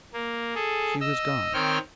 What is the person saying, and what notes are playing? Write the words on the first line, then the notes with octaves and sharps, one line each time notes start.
She was gone.
A#3
G#4 A4
D#5 E6
D#3 C4 C#5 G5 F6